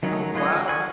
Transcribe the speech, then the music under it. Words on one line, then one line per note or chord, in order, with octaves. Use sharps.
Oh, wow.
D#3 F#3 C#4 D#4
G#3 F4 B4 C#5 D#5
F#5 G#5 C#6